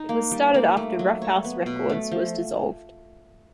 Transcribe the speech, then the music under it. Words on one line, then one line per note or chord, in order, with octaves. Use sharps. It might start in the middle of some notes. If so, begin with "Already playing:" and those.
It was started after Ruffhouse Records was dissolved.
Already playing: D#4
A#3
G3
A#3
A3
F#3
C#5
B3
B2
A3
F3